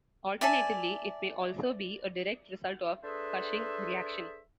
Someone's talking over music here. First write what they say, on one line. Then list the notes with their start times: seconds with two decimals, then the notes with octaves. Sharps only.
Alternatively, it may also be a direct result of Cushing reaction.
0.41 D5 E5 G#5 A5
3.04 D4 G#4 A4 B4 C5 E5